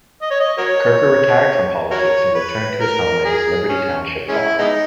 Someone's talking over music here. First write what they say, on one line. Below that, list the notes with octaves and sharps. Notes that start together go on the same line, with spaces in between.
Kirker retired from politics, and returned to his home at his Liberty Township farm.
D#5
C#5
D#5
F#4 A#4 C#5
F#4 A#4 C#5
B4
A#4
G#4
C#4
G#3 C#4 E4
G#3 B3 D#4